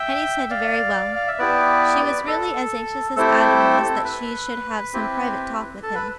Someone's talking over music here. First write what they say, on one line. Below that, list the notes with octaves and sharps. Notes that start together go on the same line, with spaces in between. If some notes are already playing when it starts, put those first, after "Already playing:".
Hetty said, "Very well." She was really as anxious as Adam was that she should have some private talk with him.
Already playing: E5 G5
D5 F5
F5
E5
B3 E4 G4 B4 D5
A4
A3 C4 E4 G4 A4
B4
C4 E4 G4
A4
B4